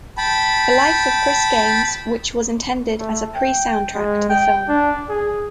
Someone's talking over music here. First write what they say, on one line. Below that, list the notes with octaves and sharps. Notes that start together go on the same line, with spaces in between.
The Life of Chris Gaines, which was intended as a 'pre-soundtrack' to the film.
G5 A5 B5
A3
G5
G#3
G5
D4
G#4